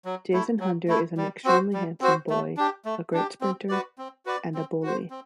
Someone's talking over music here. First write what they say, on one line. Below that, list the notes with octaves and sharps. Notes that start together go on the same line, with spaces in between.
Jason Hunter is an extremely handsome boy, a great sprinter...and a bully.
F#3
A3 E4
F#3
A3 E4
G3
C4 F#4 C5
G3
C4 F#4 C5
A3
D4 G4
A3
D4 G4
C4
F#4 B4 D5
C4
F#4 B4 D5
C4
F#4 C5
C4